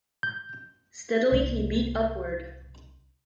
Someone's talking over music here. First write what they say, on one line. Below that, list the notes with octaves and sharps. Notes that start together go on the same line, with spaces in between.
Steadily he beat upward.
G6
C2 A#3